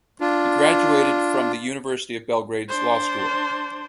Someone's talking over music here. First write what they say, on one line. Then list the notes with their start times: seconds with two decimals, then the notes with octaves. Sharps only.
He graduated from the University of Belgrade's Law School.
0.21 D4 F4
2.69 D4 C5